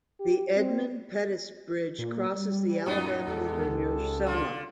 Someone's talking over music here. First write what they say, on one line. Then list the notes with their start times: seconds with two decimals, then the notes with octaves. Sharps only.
The Edmund Pettus Bridge crosses the Alabama River near Selma.
0.20 G4
0.56 C4
1.99 A#2
2.34 G3
2.86 F#2 A2 B3 D#4
3.28 E2 G#3 G4 A4
3.66 C#2
4.26 D3 F4